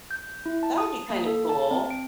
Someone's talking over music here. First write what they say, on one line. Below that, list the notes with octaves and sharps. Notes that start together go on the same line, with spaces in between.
That would be kinda cool.
G6
E4
A5
D#6
A#3
A4
A5
C4
D7